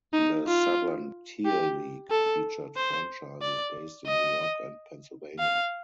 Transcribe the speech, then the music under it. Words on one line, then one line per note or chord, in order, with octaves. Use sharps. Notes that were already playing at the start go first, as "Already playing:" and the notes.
The Southern Tier League featured franchises based in New York and Pennsylvania.
D#4
F4
G4
A4
C5
D5
D#5
F5